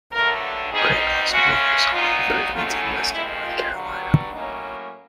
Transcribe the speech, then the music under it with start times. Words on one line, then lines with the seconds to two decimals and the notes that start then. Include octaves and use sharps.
Craig also oversaw improvements in western North Carolina.
0.11 G2 D3 F#3 A3 A#4
0.71 B2 G3 C4 D#4 G#4
1.31 C#3 E3 G#3 C#4 F#4
1.91 A#2 F#3 B3 D#4 F4
2.51 G#2 D#3 F#3 A3 C#4 F4
2.81 E4
3.11 F2 C3 D#3 G#3 E4
3.42 F4
3.72 G2 D3 F#3
4.32 A2 F#3 A#3 C#4 D#4